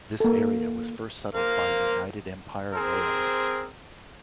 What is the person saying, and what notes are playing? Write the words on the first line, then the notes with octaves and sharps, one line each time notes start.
This area was first settled by United Empire Loyalists.
A#3 A4
A#3 C5 F5
C4 G#4 A#4 C5